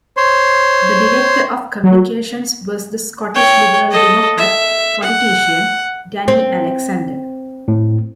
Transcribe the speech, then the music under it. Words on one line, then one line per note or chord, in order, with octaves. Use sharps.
The director of communications was the Scottish Liberal Democrat politician Danny Alexander.
C5 C#5 C6
F#3
C#5 G5
A4 D#5
E5
F#5
C4
A2